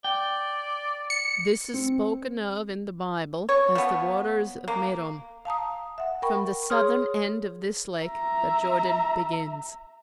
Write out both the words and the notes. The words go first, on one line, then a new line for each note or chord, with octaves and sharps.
This is spoken of in the Bible as "the waters of Merom." From the southern end of this lake the Jordan begins.
D5 G5
C#7
C4
C#5
F3 B3
A#3
F5 A5 A#5 D#6
E5 F#5
A#4 G5 B5 C#6
G#4 C#5 C6 D#6 F6
E5 A#5